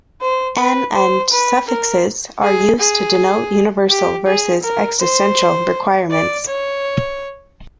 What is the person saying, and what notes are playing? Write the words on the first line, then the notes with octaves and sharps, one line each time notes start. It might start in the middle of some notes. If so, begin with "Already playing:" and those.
An and suffixes are used to denote "universal" versus "existential" requirements.
C5
B4
C5
B4
A#4
G#4
G#4
G4
G#4
A#4
C5
D5
C#5